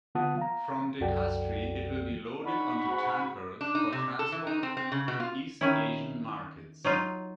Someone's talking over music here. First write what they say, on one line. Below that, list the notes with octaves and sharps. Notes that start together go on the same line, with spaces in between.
From De-Kastri it will be loaded onto tankers for transport to East Asian markets.
D3 B3 F4 F#5 A5 D#6
F5 A#5
C2 F#2 F#4 A4 D5 G5
D4 D#4 F#5 B5 C#6
G#2 F#4
D4
D#4
C3
A4
E3
D#4
C4
C4
C#3
B2
F4
D#3 C#4 E4
F#3 D#4 F4